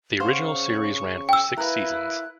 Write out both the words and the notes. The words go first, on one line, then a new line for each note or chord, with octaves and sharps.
The original series ran for six seasons.
C#3 C5 F5 F#5 C#6
G5 E6
E4 A#4 B4 F5 F#6